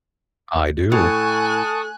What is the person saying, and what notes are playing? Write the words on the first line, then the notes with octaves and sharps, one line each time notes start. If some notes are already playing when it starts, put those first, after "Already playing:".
I do.
A2 A4 G#5 A5 C#6 D#6 F#6